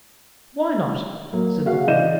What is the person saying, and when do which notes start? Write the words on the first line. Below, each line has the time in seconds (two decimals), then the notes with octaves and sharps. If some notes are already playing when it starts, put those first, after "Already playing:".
"Why not?" said the woman.
1.33 F#3 A#3
1.66 F#4 G#4 F5
1.87 E3 D5 D#5 G6 E7